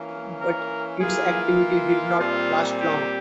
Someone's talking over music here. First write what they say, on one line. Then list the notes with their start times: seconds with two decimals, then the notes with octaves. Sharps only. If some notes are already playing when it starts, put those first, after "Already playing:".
But its activity did not last long.
Already playing: E3 A#3 C#4
0.42 A#4
1.00 E3 A#3 F4 G#4
2.19 A#2 G3 C4 F4
2.78 G4